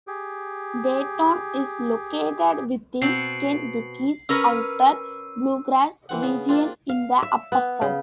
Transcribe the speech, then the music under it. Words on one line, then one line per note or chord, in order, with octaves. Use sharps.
Dayton is located within Kentucky's Outer Bluegrass region in the Upper South.
G4 G#4
B2 B3 C4 C7 F#7
C#4 A#4 B4 E6 D#7
E3 C4 F#5
C#3 B3
A#3 C4 D4 F4
F5
E5
B3
C#3